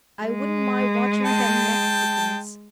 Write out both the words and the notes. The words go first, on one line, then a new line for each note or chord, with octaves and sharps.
I wouldn't mind watching them Mexicans.
G#3
G5 A5